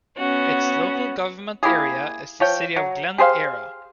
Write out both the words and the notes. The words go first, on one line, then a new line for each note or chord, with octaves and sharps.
Its local government area is the City of Glen Eira.
B3 C#4 F#4
A#3 E4 G4 G#4
F3 C#5 G5
F#3
G4 G#4 C5 F5